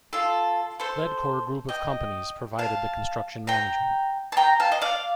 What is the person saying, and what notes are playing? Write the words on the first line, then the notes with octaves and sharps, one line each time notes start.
Ledcor Group of Companies provided the Construction Management.
F4 A4
A4 C5
D#5 G5
F5 A5
G5 A#5
A5
G5 A#5
F5 A5
D#5
D5 F5